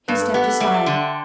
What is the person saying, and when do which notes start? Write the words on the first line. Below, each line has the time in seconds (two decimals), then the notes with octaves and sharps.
He stepped aside.
0.08 G2 B4
0.22 A4
0.34 B3 G4
0.48 A4
0.60 G3 E5
0.68 F#5
0.74 E5
0.86 D3 C6
1.00 G5